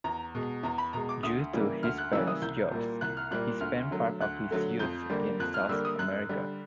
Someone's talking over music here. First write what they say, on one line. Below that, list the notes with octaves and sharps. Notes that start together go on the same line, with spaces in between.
Due to his parents' jobs he spent part of his youth in South America.
E2 A#5
B2 G#3
E2 A#5
B5
B2 G#3 A#5
D6
D2 D#6
C#3 E3 G3 A#3
D2 F6
F#6
C#3 E3 G3 A#3 E6
D#6
C2 G6
A#2 G3 A#3
C2 F#6
F6
A#2 G3 A#3 F#6
D2 F6
D3 F#3 A3
D2 F#6
D3 F#3 A3
F2 G6
D3 G3 A#3
F2 F#6
F6
D3 G3 A#3 E6
D#6
F#2 F#6
D3 G3